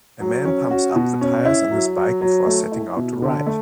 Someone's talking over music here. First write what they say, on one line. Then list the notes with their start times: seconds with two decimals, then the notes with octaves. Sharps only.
A man pumps up the tires in his bike before setting out to ride.
0.20 F#3
0.45 C#4
0.71 F#4
0.96 B2
1.21 C#4
1.45 E4
1.71 F#3
1.96 F#3
2.21 F#3
2.47 A3
2.72 E4
2.97 B2
3.22 D3
3.47 A3